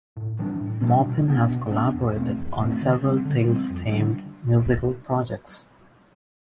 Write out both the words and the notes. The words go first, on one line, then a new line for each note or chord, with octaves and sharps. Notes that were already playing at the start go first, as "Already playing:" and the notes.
Maupin has collaborated on several "Tales"-themed musical projects.
A2
E3 G3 D4
A2
E3 G3 D4
B2
B3 D4
B2
B3 D4
E2
B2 A3 C4
E2
B2 A3 C4
D3
G3 C4
D3
G3 C4
F2
D3 G3 D4